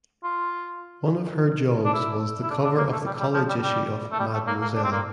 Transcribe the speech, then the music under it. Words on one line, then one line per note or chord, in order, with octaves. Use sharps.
One of her jobs was the cover of the college issue of "Mademoiselle".
F4
D4
E4
E4
D4
D4
A#3
A3
G3
G3
F3
G3
G3
A3
G3
A3
A#3
A#3
D4
C4
A#3